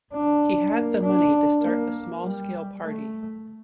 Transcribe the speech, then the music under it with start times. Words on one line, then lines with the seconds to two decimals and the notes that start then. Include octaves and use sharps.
He had the money to start a small-scale party.
0.13 D4
0.73 A#3
1.03 D4
1.62 A#3
2.22 G3
2.82 A3